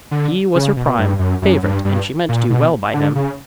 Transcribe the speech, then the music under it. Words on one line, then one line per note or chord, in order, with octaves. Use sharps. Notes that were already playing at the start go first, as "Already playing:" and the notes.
He was her prime, favorite and she meant to do well by him.
D3
C#3
B2
G2
F#2
F#2
G2
G2
A#2
B2
D3
C#3